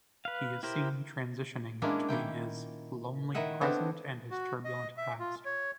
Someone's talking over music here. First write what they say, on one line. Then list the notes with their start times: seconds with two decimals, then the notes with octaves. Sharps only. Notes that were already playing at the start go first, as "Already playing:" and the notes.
He is seen transitioning between his "lonely present and his turbulent past".
0.25 B4 F5
0.63 E4 G4 A#4 C5
1.82 G#3 A#3 C#4 D4 E4
2.09 A#2 D#3 E4 G5
3.34 D#3 E4 D#5 E5 F#5
3.61 B3 C4 D4 E4 A4
4.31 F#4
4.64 D#5
4.97 E5
5.19 F4
5.45 C#5